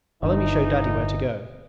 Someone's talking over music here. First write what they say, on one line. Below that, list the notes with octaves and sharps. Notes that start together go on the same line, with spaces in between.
I'll only show Daddy where to go.'
G1 D3 E3 D#4